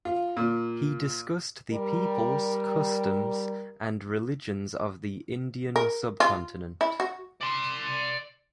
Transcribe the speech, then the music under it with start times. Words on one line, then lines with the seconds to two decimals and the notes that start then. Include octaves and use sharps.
He discussed the peoples, customs, and religions of the Indian subcontinent.
0.05 F4
0.37 A#2
1.71 G3 A#4
5.76 A#4
6.20 F4
6.81 E4
7.00 F#4
7.41 D5 C6